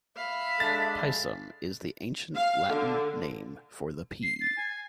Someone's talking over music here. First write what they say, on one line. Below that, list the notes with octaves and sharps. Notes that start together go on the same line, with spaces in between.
'Pisum' is the ancient Latin name for the pea.
E5 F5 B5
G#3 D4 A4 A6
F5
D3
C7
A6
G#5